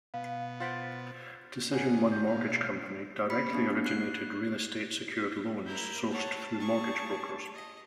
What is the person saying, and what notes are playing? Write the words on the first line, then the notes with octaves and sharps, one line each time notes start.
Decision One mortgage company directly originated real estate secured loans sourced through mortgage brokers.
B2 B3 F5
F4 C5 F#5 A6 B6 D7
D3 B3 C#4 D#4 F#4 G#4
A1 G6
B2 E3 F5
G4 B5 B6 C#7
A#3 B3 D4
F#6 C7
E4 A#4 G6
C#5 F#5 A5
G#4 C#6
D#5